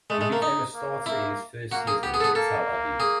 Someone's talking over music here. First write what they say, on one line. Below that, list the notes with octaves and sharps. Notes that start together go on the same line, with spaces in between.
He became a starter in his first season in Tel Aviv.
G#3 A3
G#3
A#3
D#4
A#3
A#3 E4
A#3 F#4
G#4
B3 G4
G#4
A4
G#4
A#3 A4
G#4